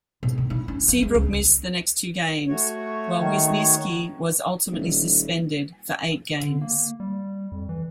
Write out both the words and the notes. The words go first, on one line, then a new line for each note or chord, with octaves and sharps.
Seabrook missed the next two games, while Wisniewski was ultimately suspended for eight games.
B2
D#3
E4
C#4
F3
G#3
C#2
A3 F#4 C#5
D#3
D#1
D3
A#3
G3
F2
E3